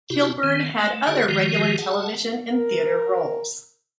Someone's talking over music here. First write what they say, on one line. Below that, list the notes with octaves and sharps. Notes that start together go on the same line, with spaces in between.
Kilburn had other regular television and theatre roles.
C3 E4 F#4 G4
D#3 C4
A3
D3 F#4 G#4 C#5
D#3 F3 G#3 F#4 G4
G#4 F#5 A5
A#4